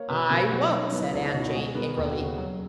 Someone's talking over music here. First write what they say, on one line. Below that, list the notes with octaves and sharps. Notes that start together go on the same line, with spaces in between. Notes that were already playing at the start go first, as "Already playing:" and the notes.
"I won't," said Aunt Jane, angrily.
Already playing: A#3 C#5
B2 B4
B2 A#4
F#3 F#4
F#3 D#4
C#4
B3
E4
C#2 D#4
C#4
B2 D#4
F#4
G#3 G#4
B3 A#4
D#2 A#4
F#4
C#3
F#3